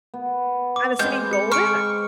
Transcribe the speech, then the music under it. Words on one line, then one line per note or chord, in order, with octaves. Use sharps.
I'm assuming Golden?
B3
D6
G#3 C4 B4 G6
C#7
C#6 F6 D7